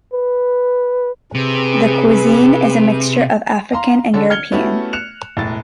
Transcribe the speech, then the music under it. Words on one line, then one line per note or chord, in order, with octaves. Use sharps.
The cuisine is a mixture of African and European.
B4
C3 G#4 B4
F5 A#5 C6
D3 C#4 A4
F6 G#6 C#7 G7
A3 B3 C#4 E4 F#4 G4
F#6 C#7 E7 F7
E1 A2 A6